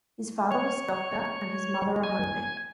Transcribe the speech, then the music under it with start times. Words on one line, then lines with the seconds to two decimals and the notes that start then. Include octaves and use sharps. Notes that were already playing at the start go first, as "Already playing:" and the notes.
His father was doctor and his mother a homemaker.
0.51 C#5
2.04 G#5